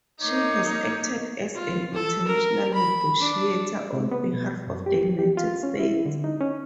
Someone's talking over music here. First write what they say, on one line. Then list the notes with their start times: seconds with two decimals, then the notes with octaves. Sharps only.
She has acted as an international negotiator on behalf of the United States.
0.22 A#3 D#4 C#5 D6
1.55 F4
1.93 A4
2.27 A#4
2.74 B5
3.19 D4
3.93 C3
4.11 B3
4.33 B2
4.67 F#2
4.86 G4
5.19 G4
5.37 F4
5.63 C#4
5.79 E4
6.06 D3
6.24 D#4
6.40 C#4